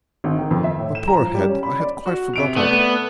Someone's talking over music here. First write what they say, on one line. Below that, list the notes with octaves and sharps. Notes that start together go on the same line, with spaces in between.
My poor head, I had quite forgot it.
G#1
D#3
F2
E5
A2
E7
A#5
F3
G3
C#4
B5
D5
F#4
C3 D7 F7
A3 B3 A4 D5